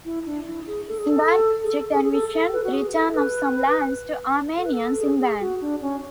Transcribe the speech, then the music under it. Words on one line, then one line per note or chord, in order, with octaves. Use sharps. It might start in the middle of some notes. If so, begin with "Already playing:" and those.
The Van Project envisioned the return of some lands to Armenians in Van.
E4
D4
E4
G#4
A4
G#4
A4
G#4
A4
G#4
G#4
A4
A4
B4
F#4
G#4
A4
B4
A4
B4
A4
G#4
G#4
F#4
D4
C#4